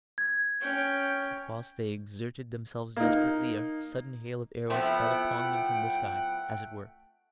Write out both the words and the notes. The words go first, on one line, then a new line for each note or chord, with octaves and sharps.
But whilst they exerted themselves desperately a sudden hail of arrows fell upon them from the sky, as it were.
G#6
C#4 G5
A#3 D#4
F3 A3 B3 C4 E4 F#5 G5